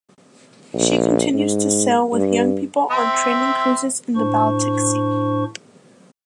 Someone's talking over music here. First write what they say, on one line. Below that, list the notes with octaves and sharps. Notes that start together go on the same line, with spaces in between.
She continues to sail with young people on training cruises in the Baltic Sea.
A#1
G#2
G2
C4 E5
A2 D4 C5 C#6